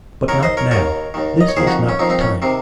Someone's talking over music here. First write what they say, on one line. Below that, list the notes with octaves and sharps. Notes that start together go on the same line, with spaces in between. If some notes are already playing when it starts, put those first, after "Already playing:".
But not now, this is not the time.'
D#2 D#3 A#4 C#5
C5 D#5
A#4 C#5
D#2 D#3 A#4 C#5
D#2 D#3
D#5
C#5
F2 D#3 G#4 C5
D#4 F#4
C#4
F2 D#3 C4 D#4
C4 D#4
C#4
C3 D#3 C4